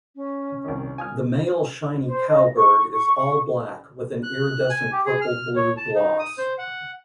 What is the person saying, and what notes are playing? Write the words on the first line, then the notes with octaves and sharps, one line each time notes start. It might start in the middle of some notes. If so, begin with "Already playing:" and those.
The male shiny cowbird is all black with an iridescent purple-blue gloss.
C#4
C2 D#3
G#5 D#6 F6
C5
D#5
C#6
C#6
F#6
G#5
G4
G#4
F6
C#5
A5
D#4
D#6
C5
F#5